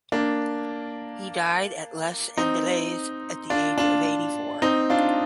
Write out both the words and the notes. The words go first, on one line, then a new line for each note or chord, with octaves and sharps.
He died at Les Andelys at the age of eighty-four.
A#3 D4
C4 D#4
D4 F4
D4 F4
C4 D#4
D4 F4